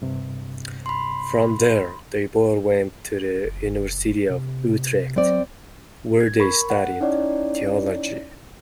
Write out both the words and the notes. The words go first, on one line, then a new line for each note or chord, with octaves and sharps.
From there, they both went to the University of Utrecht where they studied theology.
G2 C3
B5 C6
F#1
C3
F#3 C4 D5
G#6
A#4 B5 C#6
F#5
C#4 D#4 E4 C#5 D5